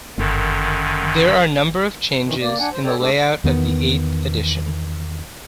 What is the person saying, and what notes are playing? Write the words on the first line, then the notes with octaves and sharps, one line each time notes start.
There are number of changes in the layout of the eighth edition.
G1 F#2 D3 D#3
F#2 D#3 E3
A#3 D5
D4 F#5 G#5
C5
A4 C#5 D5 G5
G#3 A3 D4 G4 A4
E2 D#3 B3